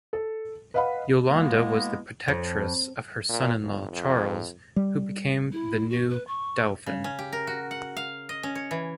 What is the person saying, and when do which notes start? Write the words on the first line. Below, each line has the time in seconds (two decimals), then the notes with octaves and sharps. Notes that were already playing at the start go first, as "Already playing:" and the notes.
Yolande was the protectress of her son-in-law, Charles, who became the new Dauphin.
0.13 A4
0.74 B4 D#5 F5 F#5 B5
1.29 B2 G#3 A#3 B3 E4
2.28 F2
3.29 A#2
3.63 G1
3.92 F2
4.76 G3
5.52 E4
5.90 F#4
6.10 B4
6.27 C#6
6.86 C#3
7.04 C#4
7.19 G4
7.33 A#4
7.47 F#4
7.71 F#5
7.97 F5
8.29 D#5
8.43 C#4
8.55 C#5
8.71 E3